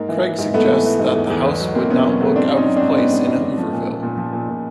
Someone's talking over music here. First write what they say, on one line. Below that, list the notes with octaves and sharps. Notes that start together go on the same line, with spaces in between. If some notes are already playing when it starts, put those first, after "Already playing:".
Craig suggests that the House would not look out of place in a Hooverville.
Already playing: G#2 A#3
E3
E3
G#2
G#2 A3 B3
E3
E3
G#2
E2
E2
E2
F#3
E2 A#3 C4
B2 B3 C#4
F#3
F#3 A3 B3
G#2 C4 D4
F#3
C#4 D#4
F#3
C4 D4
G#2
G#2 B3 C#4
G#2
G#2
G#2
F3
A#2
A#2
A#2
F3
A#2
A#2